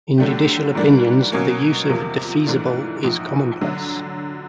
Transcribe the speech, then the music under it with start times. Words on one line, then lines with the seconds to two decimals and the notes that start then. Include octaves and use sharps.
In judicial opinions, the use of "defeasible" is commonplace.
0.18 D3 F#3 A3 D4 G4
0.75 G#2 E3 G3 A#3 D4
1.32 B2 F#3 A#3 C#4
1.89 E2 C3 F3 A#3
2.47 G#2 E3 A3 D4 F4
3.04 A#1 G#2 F3
3.61 D3 F#3